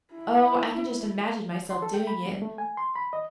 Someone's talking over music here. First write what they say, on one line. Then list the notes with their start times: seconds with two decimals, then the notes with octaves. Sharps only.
Oh, I can just imagine myself doing it.
0.14 E4
1.70 C6
1.82 A4
1.94 G5
2.07 B5
2.26 G3
2.42 A3
2.58 G#5
2.77 C6
2.96 B5
3.13 D#5